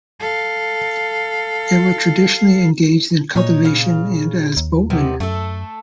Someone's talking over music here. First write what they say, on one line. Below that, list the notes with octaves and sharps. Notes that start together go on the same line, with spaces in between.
They were traditionally engaged in cultivation and as boatmen.
A4 F5
A#2 D#4 C#5
C#3 F5
D#2
C3 D#3 B3
F#2 A3 A4